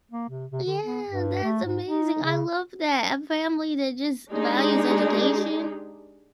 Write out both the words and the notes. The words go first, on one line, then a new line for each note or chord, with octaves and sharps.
Yeah, that's amazing. I love that, a family that just values education.
A#3
C3
C3
D3
B3
G2
A3
G#2
D#4
C#3
G#3 D4 D#4 G4 G#4